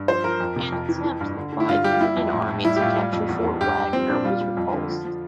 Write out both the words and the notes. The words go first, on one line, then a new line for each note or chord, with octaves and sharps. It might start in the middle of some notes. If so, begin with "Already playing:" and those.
An attempt by the Union Army to capture Fort Wagner was repulsed.
Already playing: G2
F3 C5
F3 A#4
F2
C3
F2
E3
E3
G2
D3
D3
E4
G2 F4
G3 G4
F4
G3 E4
F2
A2
A2
G3 E4
G4
A2 F4
G3
F2
E2
E2
G2 G4
G2
F3 C4
A#2 D4
G3 F4
G3
F2
D3
F3
F3